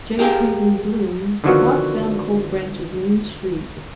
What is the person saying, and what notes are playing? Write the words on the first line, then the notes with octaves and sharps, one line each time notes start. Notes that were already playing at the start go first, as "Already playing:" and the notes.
J. Pinkney Bloom walked down Cold Branch's main street.
G4 G#4 A#4 F5 G5
D3 D#3 F3 F#3 B3 F#4